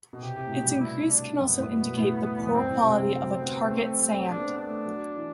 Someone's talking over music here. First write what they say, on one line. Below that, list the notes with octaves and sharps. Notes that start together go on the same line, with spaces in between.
Its increase can also indicate the poor quality of a target sand.
B2
C3 G4
C3
A2
B2
G2
E4
D4
F#2 B3
G2
A2
B2
A2
E2
F#2
G2 C4
A2
C3 C4
D3
F#3
B3
B3
A3
G3
B3 D4
C4
B3
D4
A3
F#3
E3